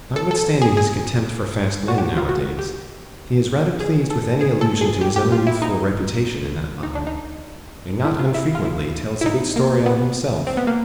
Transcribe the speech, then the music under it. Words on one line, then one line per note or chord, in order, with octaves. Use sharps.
Notwithstanding his contempt for fast men nowadays, he is rather pleased with any allusion to his own youthful reputation in that line, and not unfrequently tells a good story on himself.
A4
A4
G#4
G#4
F#4
G4
F4
F#4
G4
G#4
A4
G#4
A4
G#4
G4
G4
F4
E4
D#4
D#4
D4
D#4
E4
F4
E4
F4
E4
E4
D#4
A#3
B3
C4
B3
A#3